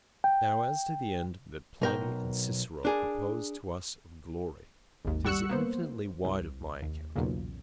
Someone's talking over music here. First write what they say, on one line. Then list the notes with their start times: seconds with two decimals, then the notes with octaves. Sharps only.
Now, as to the end that Pliny and Cicero propose to us of glory, 'tis infinitely wide of my account.
0.24 G5
1.82 B1 A#4 G5
2.85 D4 G#4 A#4
5.05 G#1 D#2
5.24 G3 F#5 C#6 E6 F#6 C#7
5.49 A#3 B3 C5
6.25 C2
6.82 D#2
7.16 B1 E2 A#2 C#3